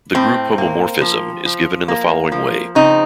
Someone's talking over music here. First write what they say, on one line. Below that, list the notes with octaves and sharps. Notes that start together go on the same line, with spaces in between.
The group homomorphism is given in the following way.
A2 C4
A#3
F3
F3
A#3
F3
C#3 C4 D#4